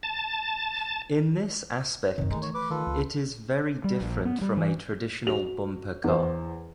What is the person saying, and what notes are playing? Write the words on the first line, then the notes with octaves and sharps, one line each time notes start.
In this aspect, it is very different from a traditional bumper car.
A5
F#2 C3 D#3
E3 G#3 A3 D#4
C#5
B4 D6
D#3 F4 A4 B4
C#2
G3
A#1
B3
G3
E3
F#4 F7
E2 C5